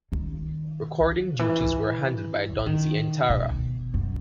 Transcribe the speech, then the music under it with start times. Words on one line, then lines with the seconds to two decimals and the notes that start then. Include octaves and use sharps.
Recording duties were handled by Don Zientara.
0.12 D#3
1.39 E3
2.66 D#3
3.30 B2
3.94 F#2